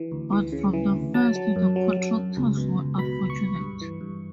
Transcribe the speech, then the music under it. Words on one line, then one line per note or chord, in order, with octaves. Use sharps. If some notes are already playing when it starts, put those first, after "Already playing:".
But from the first the contractors were unfortunate.
Already playing: E3
D2
E3
C#3
E3
D2
F#3 A5
F#3
F#2
F#3
F#3
F#2
C#2
B2
C#2
B2 B5
C#2
C#6
C#2
G2
E3
G2